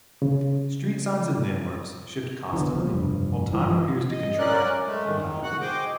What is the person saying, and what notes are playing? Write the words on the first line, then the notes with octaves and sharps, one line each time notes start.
Street signs and landmarks shift constantly, while time appears to contract and dilate.
C#3
B2 D3 E3
F#1 F3
F1 G2
G#1 G2 E3 F3
D#5
F#2 C#4 A#4 D5 F#6
G#3 A3
D#3
F#4 F#5 F#6
G#4 C5 D#5 G5 D6